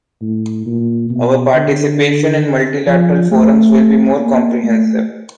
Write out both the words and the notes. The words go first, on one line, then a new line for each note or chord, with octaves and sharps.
Our participation in multilateral forums will be more comprehensive.
A2
A#2
B2
D3
F3
A3
A#3
A3